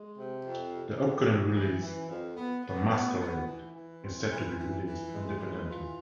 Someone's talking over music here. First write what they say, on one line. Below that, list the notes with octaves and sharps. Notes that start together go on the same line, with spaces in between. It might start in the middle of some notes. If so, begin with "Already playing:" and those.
Their upcoming release The Masquerade is set to be released independently.
Already playing: G#3
C3
F2
C3
F2
E3
E3
E3
F2
B3
B3
B3
B3
E3
E3
C4
E3
E3
E3
G#3
E3
F4